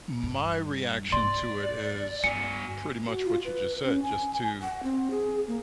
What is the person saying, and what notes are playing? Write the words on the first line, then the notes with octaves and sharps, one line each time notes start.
my reaction to it is p pretty much what you just said, just to
G2
G#2 A#3 D5 C6
G2 B3 F#4 G#5 C#7
F#4
F4
B4
C#4
G#5
F#5
C4
G#4
A#3